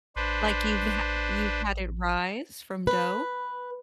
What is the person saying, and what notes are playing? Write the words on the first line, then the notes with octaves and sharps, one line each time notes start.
Like, you've ha you've had it rise from dough?
A1 D4 B4 C5
B4